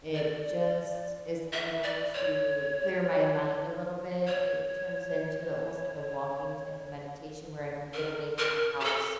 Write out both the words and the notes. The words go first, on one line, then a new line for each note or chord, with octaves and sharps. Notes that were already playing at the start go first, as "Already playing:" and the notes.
It just is able to clear my mind a little bit. It turns into almost, like, a walking type of meditation where I can get away from the house,
D5
E5
D5
C#5
C#5
A#4
A#4
G4
A4